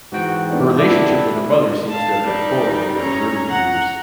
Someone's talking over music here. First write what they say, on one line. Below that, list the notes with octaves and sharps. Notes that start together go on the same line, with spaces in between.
Her relationship with her mother seems to have been poor in her early years.
G#2 E3 F#4 G5
A2 B3 D4 F4
A#3 C4 D4 E4 F#4 G4 D5
F5 A5
G3 D#4
C#4 A#5
F#5 A#5